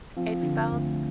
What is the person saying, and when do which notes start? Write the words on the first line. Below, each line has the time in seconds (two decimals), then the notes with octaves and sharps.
it felt
0.16 F3 C4
0.43 D3
0.72 D2